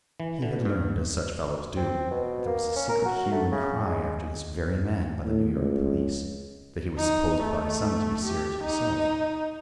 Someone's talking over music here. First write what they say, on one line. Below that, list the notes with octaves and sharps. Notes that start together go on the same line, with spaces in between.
He had learned, as such fellows do, that there was a secret hue and cry after this very man by the New York police; that he was supposed by some to be Sears himself.
E3
D3
G2
C4
B2
A#3
C#4
A#4
F#4
A3
C#3
G#3
A2
C#2
D#4
A3
G4
D#4